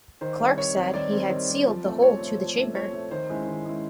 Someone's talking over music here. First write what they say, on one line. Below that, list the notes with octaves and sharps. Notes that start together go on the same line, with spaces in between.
Clark said he had sealed the hole to the chamber.
D#3 C5
G3 C4
D#3 C#5
G3 C4
D#3 D5
G3 C4
D#3
G3 C4
F3
A3 C4
F3 C#5
A3 C4
F3
A3 C4
F3 C#5
A3 C4
D#3 C5
G#3 C#4 E4
D#3
G#3 C#4 E4